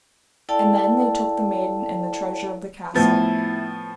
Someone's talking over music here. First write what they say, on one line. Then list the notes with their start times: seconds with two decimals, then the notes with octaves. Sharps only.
And then they took the maiden and the treasure of the castle.
0.49 E4 A4 D5 F5 G5 A5
2.95 A2 F3 B3 E4